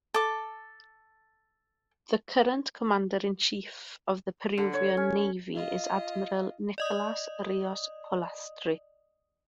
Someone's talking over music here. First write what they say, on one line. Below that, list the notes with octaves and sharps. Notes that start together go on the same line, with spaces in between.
The current Commander-in-Chief of the Peruvian Navy is Admiral Nicolas Rios Polastri.
A4 D6
D3
C#5
C#4
F4 D#5
D5 D#5 D#6